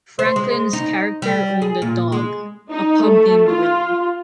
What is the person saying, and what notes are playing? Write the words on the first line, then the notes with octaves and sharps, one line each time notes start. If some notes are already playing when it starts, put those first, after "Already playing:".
Franklin's character owned a dog, a pug named Willy.
C5
G#3
D#4
G3
G#4
A#2
G#3
D#4
A3
F4